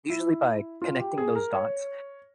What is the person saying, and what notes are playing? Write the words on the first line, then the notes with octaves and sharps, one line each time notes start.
usually by connecting those dots,
E4
F4
G4
G#4
A#4
C#5